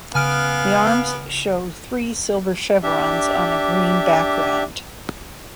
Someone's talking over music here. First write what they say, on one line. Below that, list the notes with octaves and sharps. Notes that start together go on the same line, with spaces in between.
The arms show three silver chevrons on a green background.
C#3 B3 F5 G#5 F6 D7
D4 G4 E5